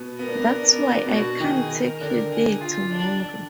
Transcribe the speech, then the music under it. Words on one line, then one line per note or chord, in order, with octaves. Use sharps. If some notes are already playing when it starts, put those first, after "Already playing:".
That's why I can't take you there tomorrow.
Already playing: B2 B3
B3 A#4
D4
B3
D4
B3
D4
B3
D4
B3
D4
B2 B3 F#4
D#3 D#4 G#4
A#4
D3 D4 A#4
G#4
F4
D4